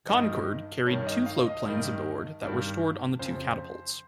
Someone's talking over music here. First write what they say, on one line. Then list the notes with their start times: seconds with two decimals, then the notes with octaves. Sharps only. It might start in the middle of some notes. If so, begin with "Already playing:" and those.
"Concord" carried two floatplanes aboard that were stored on the two catapults.
0.09 G2 D#3 D#5
0.86 G2 D#3 C#5
0.99 C#5
1.07 D#5
1.26 F5
1.45 D#5
1.64 G2 D#3
2.42 G2 D#3
3.19 F2 C#3 C5